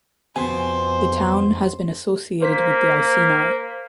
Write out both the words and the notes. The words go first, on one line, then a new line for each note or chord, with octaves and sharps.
The town has been associated with the Iceni.
F2 B2 B3 C5 G#5
A#3 C5 B6